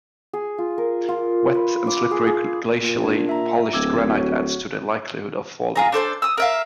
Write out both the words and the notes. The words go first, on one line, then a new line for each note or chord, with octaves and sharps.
Wet and slippery glacially polished granite adds to the likelihood of falling.
G#4
F4
A#4
F4
B4
D6
G#4
G#4
A#2
D4
E5 A#5
D1 D6 E6 G#6
F#4 C#5
F4 G#4 A#5
D4 A4 C5 C6
D#6 E6
A#4 E5 F5